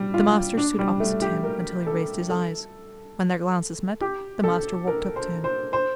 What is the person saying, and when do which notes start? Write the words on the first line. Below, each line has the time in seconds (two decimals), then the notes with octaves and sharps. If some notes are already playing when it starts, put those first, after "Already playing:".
The master stood opposite to him until he raised his eyes; when their glances met, the master walked up to him.
Already playing: G3
0.14 F4
0.57 D4
0.79 G3
1.00 A3
1.22 G4
1.44 A#4
1.87 A4
2.30 A4
4.01 G4
4.44 A4
4.88 A#4
5.16 C5
5.44 C5
5.73 C5